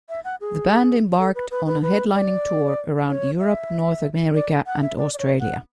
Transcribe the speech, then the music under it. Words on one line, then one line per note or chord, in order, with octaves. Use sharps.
The band embarked on a headlining tour around Europe, North America and Australia.
E5
F#5
G#4
A4
B4
B4
B4
B4
D5
C#5
E5
D5
F#5
E5
D5
D5
C#5
F#5